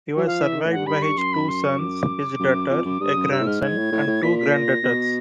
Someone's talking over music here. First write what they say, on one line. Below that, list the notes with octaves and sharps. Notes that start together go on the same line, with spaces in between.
He was survived by his two sons, his daughter, a grandson and two granddaughters.
F#3
F3 F5
E3 E5
D#3
A2
G2 F#5
G2 B5
C#6
F#2 C6
B5
C6
C#6
D6
F#2
F2
F#2
G2 D#6
F#2
G2 E6
A2
G#2 F6
G#2 G#6
A2
A2
A2
A#2 B6
B6
A#6
B2